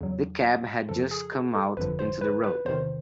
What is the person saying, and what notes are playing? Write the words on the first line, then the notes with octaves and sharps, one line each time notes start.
The cab had just come out into the road.
E2 C#3 F#3
F2 C#3 F3 A4
G#4
G#4
A4
G1 F2 D3 F3 B4
C5
B4
B4
E2 C3 D#3 C5